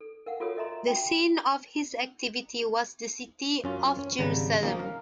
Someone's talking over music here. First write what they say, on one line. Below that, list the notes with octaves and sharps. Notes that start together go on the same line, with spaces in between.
The scene of his activity was the city of Jerusalem.
A4
A#4 F5 F#5
F4 F#4 A4 A#4 C#5 D#6
A4 D#5 E5 A#5 C6
F#4 G5
F#2 C#4 F4
C#4
G#1 C#3 G3 A#5
F3 A#3 C#4 D#4
A#4 F5